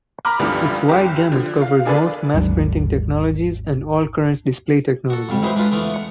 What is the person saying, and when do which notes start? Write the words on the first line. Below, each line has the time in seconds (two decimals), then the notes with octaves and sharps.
Its wide gamut covers most mass printing technologies and all current display technologies.
0.25 A#5 B5 D6 F6
0.39 C#2 G2 D3 E3 F3 G3
0.89 F#1 G4
1.32 D3 F3
1.62 F5
1.85 A#3 D4 G#4 A4 B4 D5
2.34 G#1 D#2 F#3 D4
5.10 F#4 A4
5.29 F2 G#2 G3
5.43 E3 F#3 G#3 D#4 B4 C5
5.56 G#3 D4 D#4 F4 B4
5.72 E2 E3 A3 B3
5.94 F#5